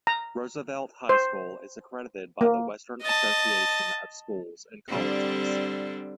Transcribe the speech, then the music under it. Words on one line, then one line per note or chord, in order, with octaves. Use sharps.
Roosevelt High School is accredited by the Western Association of Schools and Colleges.
A#5
C5
A#3
D#5 A5
D3 G3 C4